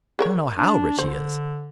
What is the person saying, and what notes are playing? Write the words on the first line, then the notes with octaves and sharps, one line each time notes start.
I don't know how rich he is!
G#4 A#4 C#5
D4
D3 C5